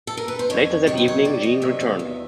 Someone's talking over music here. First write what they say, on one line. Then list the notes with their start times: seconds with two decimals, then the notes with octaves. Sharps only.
Later that evening, Jean returns.
0.07 A4
0.17 A#4
0.28 B4
0.39 C5
0.50 F2 C#5
0.87 C3 D#3 F#3 C#5
0.97 C5
1.08 C#5
1.25 F2 D5
1.43 D#5
1.62 C3 D#3 F#3 E5
1.80 F5
1.99 E2 E5